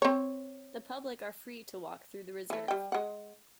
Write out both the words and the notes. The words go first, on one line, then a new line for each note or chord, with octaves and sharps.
The public are free to walk through the reserve.
C4 C#5
E3 A3
G3 G5
G#3 F#5